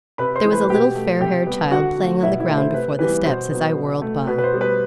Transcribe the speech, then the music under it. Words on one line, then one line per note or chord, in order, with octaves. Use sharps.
There was a little fair-haired child playing on the ground before the steps as I whirled by.
C3 B4 B5
C5 C6
E3 A3
B4 B5
B2 G4 G5
A3
C3 G4 G5
G3 B3
D3 F#4 F#5
F#3 A3
B2 E4 E5
E4 E5
A3
C5
C3 B4
E3 G3 B3 B4
B2 C5
F#3 B3
B2
A3
B2 B4
B4
C5
G3 B3
B4